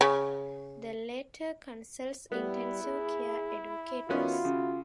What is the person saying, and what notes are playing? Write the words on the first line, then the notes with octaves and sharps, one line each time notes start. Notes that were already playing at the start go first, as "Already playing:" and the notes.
The latter consults intensive care educators.
C#3
G3 B3 E4
G#4
D#3 B3 C#4 F4 F#4
C#3